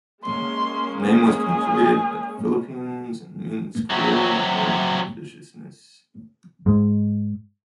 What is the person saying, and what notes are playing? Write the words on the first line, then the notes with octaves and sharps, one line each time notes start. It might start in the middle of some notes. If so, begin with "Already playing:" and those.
The name was contributed by the Philippines and means cruel or viciousness.
G#3 A#3 C#4 C6
G#4
C3 F#3
G#2 G#3